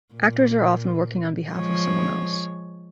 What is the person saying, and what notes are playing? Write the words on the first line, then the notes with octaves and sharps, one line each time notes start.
Actors are often working on behalf of someone else.
A#2
F3 G#3 C#5